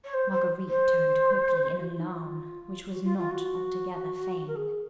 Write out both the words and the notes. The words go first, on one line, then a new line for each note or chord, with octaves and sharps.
Marguerite turned quickly, in alarm, which was not altogether feigned.
C#5
C5
C5
C5
F#4
F4
D#4
F4
F#4
F4
F4
F#4
A#4
G#4